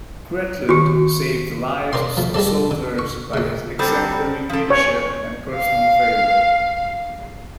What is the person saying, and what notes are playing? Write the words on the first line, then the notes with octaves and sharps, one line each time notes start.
Gretlund saved the lives of the soldiers by his exemplary leadership and personal valour.
D#3 F#4 G4
A#4 D5 D#5 C6
F3 A3
G3 G#3 A4 D5
D3
C#6
A#2 C#3
F#3 G3 C4 A4
F3 A4
C#5
F5 C7